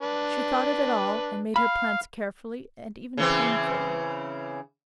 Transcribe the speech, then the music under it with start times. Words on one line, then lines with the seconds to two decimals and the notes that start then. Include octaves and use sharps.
She thought of it all, and made her plans carefully and even painfully.
0.02 D4 B4
1.56 F5 B5
3.17 C#3 E3 C4